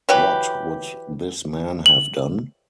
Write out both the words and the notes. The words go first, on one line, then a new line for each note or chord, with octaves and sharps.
What would this man have done?
E3 F#3 G4 B4
F#7